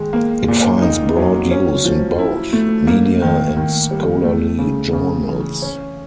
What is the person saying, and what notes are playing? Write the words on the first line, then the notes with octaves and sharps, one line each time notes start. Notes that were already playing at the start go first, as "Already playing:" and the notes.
It finds broad use in both media and scholarly journals.
Already playing: D#3 G#3
A#3
A#2
D#4
F#3
C#4
F3
E4
A3
A#3
D#3
D#3
G3
A3
C#3
C#3
E3
C#4